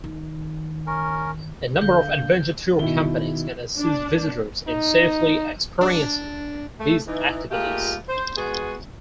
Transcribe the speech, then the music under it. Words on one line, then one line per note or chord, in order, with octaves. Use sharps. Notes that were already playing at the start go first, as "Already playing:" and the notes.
A number of adventure tour companies can assist visitors in safely experiencing these activities.
D#3
C#4 A#4
D3 F5 G6 G7
B2 D#3 D#4 E4 G7
D4
D#4
D4
A3
E3 D#4
A#2 G#3 A3 F4 G4
C5
G#3 B3 F#4 G#4